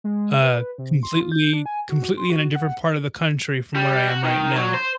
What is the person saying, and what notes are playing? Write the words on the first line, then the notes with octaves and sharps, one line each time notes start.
uh, completely completely in a different part of the country from where I am right now.
G#3
B4
C3
C6
F4
G6
D4
G#5
F#4
C6
F#4
F#5
G3
F#4
D#3
F#3
C5